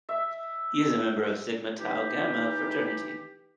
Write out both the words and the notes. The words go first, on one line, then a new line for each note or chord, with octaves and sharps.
He is a member of Sigma Tau Gamma fraternity.
E5
E3 D#4 G4